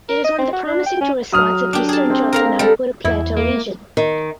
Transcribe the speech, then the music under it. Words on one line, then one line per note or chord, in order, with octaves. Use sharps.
It is one of the promising tourist spots of Eastern Chota Nagpur Plateau region.
A#4
D#5
C4
F#4
D4
G5
C#4
F#3 D#6 F6
D4 G4
G#4 A5
C4
A#4 F5 A#5
G3 A4 A#4
E2 E4
A#3
D#3